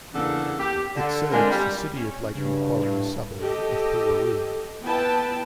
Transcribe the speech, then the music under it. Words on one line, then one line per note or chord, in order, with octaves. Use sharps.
It serves the City of Lake Macquarie suburb of Boolaroo.
E2 C#3 A#3 D4 A4 F#5
G4
D3
G#3 C4 D4 F4 A#4
G3
C#4
G2 C#3
A2
G4 A4 D#5
B3 E4 B4 G5 A5